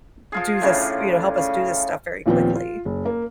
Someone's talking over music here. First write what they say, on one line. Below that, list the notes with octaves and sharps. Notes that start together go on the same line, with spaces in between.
d do this you know, help us do this stuff very quickly.
F3 F4 G#4
A2 C#3 D4
C#3
D#2 A#2 F3 B3 C4
F4
F#1
A#3